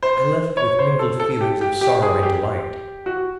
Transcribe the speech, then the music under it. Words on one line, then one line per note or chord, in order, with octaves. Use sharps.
I left with mingled feelings of sorrow and delight.
C5
C#5
C5
A4
A4
G4
G4
G4
G#4
G4
F#4